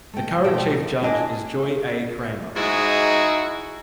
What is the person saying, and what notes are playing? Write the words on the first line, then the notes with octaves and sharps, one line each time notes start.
The current chief judge is Joy A. Kramer.
A3 G5
B2 A3 G4 A4 C5 G5
D#4
A#3 D4 E4 C#5 D#5 G#5
G#2 D#4 E4 F#4 G#4